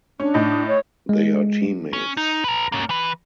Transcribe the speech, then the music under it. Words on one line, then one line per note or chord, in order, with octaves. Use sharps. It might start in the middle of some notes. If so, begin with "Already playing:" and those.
They are teammates.
C#4 D4
A2 D#4
C#5
G#3
C#4
D#4
B4 A#5
A#3 C#4
E3 B4